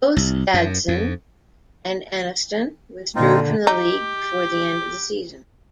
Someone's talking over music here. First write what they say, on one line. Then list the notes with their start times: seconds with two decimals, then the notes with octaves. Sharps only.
Both Gadsden and Anniston withdrew from the league before the end of the season.
0.17 C2
0.54 F#2
0.88 F2
3.16 A#2 D3 C4 D#4 F4
3.67 D#4 G4